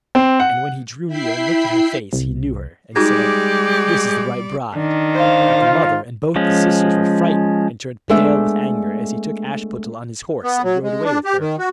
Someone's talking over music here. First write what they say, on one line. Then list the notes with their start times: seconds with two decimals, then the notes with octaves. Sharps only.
And when he drew near and looked at her face he knew her, and said, 'This is the right bride.' But the mother and both the sisters were frightened, and turned pale with anger as he took Ashputtel on his horse, and rode away with her.
0.15 C4
0.40 F#5
1.08 E4 E5 G5 B5 C7
2.13 C2
2.96 G3 G#3 D#4 F#4 G4 D5
4.75 D#3 D4
5.14 C5 F5
5.60 F4
6.36 F3 G#3 C#4
8.09 G#3 A3 B3 D4 D5 E5
10.44 B3
10.64 F#3
10.83 G#3
11.05 D4
11.25 G4
11.40 D#3
11.59 F#4